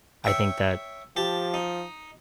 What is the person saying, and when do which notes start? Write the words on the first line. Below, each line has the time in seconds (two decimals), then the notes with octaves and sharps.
I think that
0.24 C#5 E5 G5
1.16 F3 G4 A5
1.54 D#4